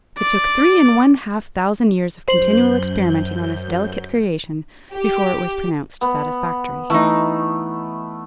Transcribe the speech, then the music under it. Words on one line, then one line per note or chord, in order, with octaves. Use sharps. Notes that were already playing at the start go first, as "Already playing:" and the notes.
It took three and one-half thousand years of continual experimenting on this delicate creation before it was pronounced satisfactory.
D5
F#2 C5 G6 F#7
G4
B3
E3 A3 D#4